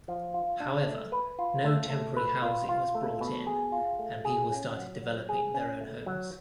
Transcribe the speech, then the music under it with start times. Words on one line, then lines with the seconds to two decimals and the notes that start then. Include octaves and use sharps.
However, no temporary housing was brought in, and people started developing their own homes.
0.08 F3
0.34 F4
0.60 D4
0.86 A3
1.12 B4
1.39 F4
1.64 A3
1.90 A3
2.17 B4
2.42 F4
2.69 F4
2.95 A3
3.21 B2
3.47 G#4
3.72 F4
3.99 A3
4.25 G#4
4.51 C#4
4.77 F#3
5.03 F#3
5.29 G#4
5.54 C#4
5.80 A3
6.06 F#3